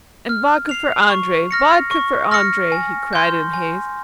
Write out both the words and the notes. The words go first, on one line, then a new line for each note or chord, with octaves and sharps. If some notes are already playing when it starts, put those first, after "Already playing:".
"And vodka for Andrey, vodka for Andrey!" he cried in haste.
F6
C7 F7
C#6
F6 A#6 C#7
C#6
F6 A#6 C#7
G#5
C6 G6
G#5